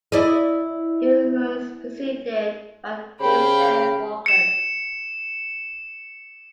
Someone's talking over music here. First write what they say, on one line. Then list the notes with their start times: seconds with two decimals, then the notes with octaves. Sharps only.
He was preceded by David M. Walker.
0.12 E4 D5 D#5
3.20 C#3 G4 C5 F5 G5 B5
4.26 C#7 E7